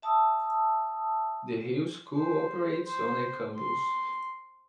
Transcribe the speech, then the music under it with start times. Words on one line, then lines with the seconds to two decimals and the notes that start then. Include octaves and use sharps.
The Hill School operates on a campus.
0.02 E5 A5 D#6 E6
2.15 C5
2.84 C5
3.56 C6